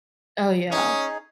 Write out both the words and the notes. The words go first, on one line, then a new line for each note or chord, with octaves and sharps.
Oh, yeah.
C#4 D#4 G#4